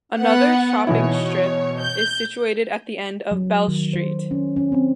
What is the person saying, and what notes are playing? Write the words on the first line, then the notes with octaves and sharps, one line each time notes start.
Another shopping strip is situated at the end of Bell Street.
B3 F#5
B2 E3 E4 C#5
G6
F#3
D#3
C5
C#4
C#4
C4